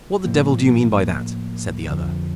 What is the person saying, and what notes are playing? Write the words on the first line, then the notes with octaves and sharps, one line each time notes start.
"What the devil do you mean by that?" said the other.
A2 F3 A#3
F2 D3 F3